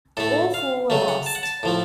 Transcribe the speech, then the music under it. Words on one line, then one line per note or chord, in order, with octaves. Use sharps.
All four were lost.
A2 A3 A4
F5
C#3 F#3 A3
F#5
A5
F#5
A5
A2 F3 A3